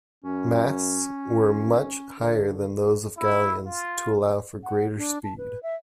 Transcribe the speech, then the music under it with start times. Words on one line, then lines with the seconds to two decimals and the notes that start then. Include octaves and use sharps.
Masts were much higher than those of galleons to allow for greater speed.
0.24 F#2 C#4
1.36 G#1
2.19 D3
3.17 E4
3.66 F4
4.64 F#5
4.97 D4
5.24 A5
5.38 B4
5.63 E5